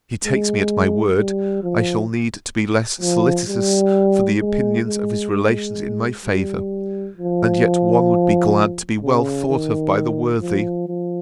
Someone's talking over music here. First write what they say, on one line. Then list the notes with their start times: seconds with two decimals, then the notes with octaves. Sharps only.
If he takes me at my word, I shall need to be less solicitous for the opinions of his relations in my favour: and yet one would be glad to be well thought of by the worthy.
0.24 G#3
1.17 G3
1.63 F3
3.01 F3
3.48 G3
4.40 G#3
4.87 G#3
5.32 G#3
6.25 G3
7.17 F3
9.03 C#3
9.49 D#3
10.41 F3
10.88 F3